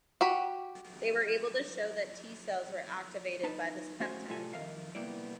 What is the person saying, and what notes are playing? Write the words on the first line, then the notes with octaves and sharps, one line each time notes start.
They were able to show that T cells were activated by this peptide.
F#4 G4 B5
D#4 B4 A5
A3 C#4 F#4 C5 F#5 G#5
A2 C3 G3 F4 A4 G#5
F2 D#3 A#4 E5 F5
C2 G3 A#3 B3 E4 D5